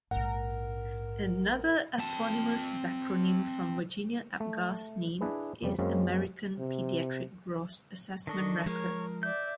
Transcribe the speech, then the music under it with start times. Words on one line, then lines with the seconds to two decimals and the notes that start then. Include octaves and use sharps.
Another eponymous backronym from Virginia Apgar's name is American Pediatric Gross Assessment Record.
0.11 A#1 G#2 D#4 A#4 F#5
1.99 C4 A5
4.40 A3
5.21 D4 E4 G#4 B4
5.62 F2 C#3 G3
5.79 F#2 G#3 A#3 C4 C#4
6.58 C3
8.27 D#3 D4 A4 D#5 C#6
8.66 F3 G#3 A#4 C#5
9.23 D5 E5 G6